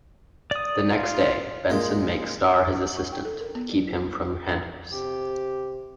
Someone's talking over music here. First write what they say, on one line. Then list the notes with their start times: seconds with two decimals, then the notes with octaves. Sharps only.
The next day, Benson makes Starr his assistant, to keep him from Hennes.
0.51 D5 D#6
0.91 F4
1.70 A#2 G#3
2.97 C#6
3.12 G5
3.25 A4
3.41 A#4
3.55 B3
3.72 F#3
3.88 F4
4.92 C3 G4